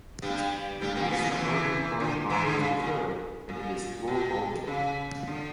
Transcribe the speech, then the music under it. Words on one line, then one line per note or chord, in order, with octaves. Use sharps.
The use of locally grown barley is preferred, and it is floor-malted.
G2 G3
G2 G3
A#2 A#3
B2 B3
A#2 A#3
F#2 F#3
E2 E3
D3
E2 E3
D3
C#3
A#2
A#2
B2
C#3
D3